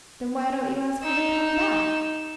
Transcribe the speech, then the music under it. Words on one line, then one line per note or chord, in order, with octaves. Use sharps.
"Then why don't you ask her to come back."
D#4 E6